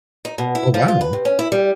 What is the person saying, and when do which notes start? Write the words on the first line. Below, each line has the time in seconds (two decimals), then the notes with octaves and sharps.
Oh, wow.
0.25 D#4
0.38 B2
0.55 E4
0.74 F3
0.88 F4
1.01 B4
1.13 C3
1.25 C#4
1.39 E4
1.52 G3